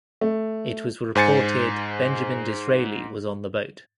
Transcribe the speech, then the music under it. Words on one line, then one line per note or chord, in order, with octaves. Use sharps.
It was reported Benjamin Disraeli was on the boat.
A3
G#2 C5 G#5 A6 C#7